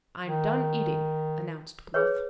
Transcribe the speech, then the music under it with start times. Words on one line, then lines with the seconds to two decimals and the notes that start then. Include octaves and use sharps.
"I'm done eating," announced Bluff.
0.26 D#3
1.94 G#4 B4 C#5